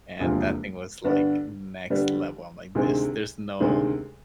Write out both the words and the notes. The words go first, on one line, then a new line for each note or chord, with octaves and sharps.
and that thing was, like, next level. I'm like, "This there's no
E1 D2 C3 F3 A#3
G2 D3 G3 B3 D4
G2 D3 G3 B3 D4
D2 C3 D#3 G#3 C4
D2 C3 D#3 G#3 C4